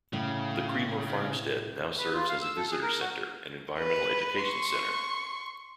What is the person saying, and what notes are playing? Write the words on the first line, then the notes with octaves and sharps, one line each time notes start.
The Creamer farmstead now serves as a visitor center and environmental education center.
A2 C#3
B4
F4
F5
E6
A4
G#4
A#4
F#4
B4
C6 C#6